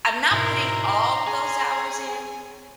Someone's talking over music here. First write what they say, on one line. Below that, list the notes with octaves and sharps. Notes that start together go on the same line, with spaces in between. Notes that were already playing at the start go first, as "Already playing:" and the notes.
I'm not putting all of those hours in,
G#2 B2 E4 A#4 A#5 C6
D#5
G#4 C#5 G#5